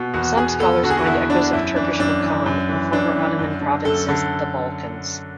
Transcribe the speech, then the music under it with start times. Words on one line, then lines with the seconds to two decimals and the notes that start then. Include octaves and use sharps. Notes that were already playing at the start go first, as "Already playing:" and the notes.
Some scholars find echoes of Turkish makam in former Ottoman provinces of the Balkans.
Already playing: B2
0.14 E2 F#4
0.37 B2 G#4
0.60 E2 A4
0.83 D3 F#4
0.90 G#4
0.97 F#4
1.06 E2 E4
1.30 D3 D4
1.53 F#2 E4
1.76 E3 D4
2.00 F#2 D4
2.23 E3
2.46 F#2
2.69 E3
2.92 F#2 D4
3.16 E3
3.39 F#2
3.61 D3
3.85 F#2 A4
4.09 D3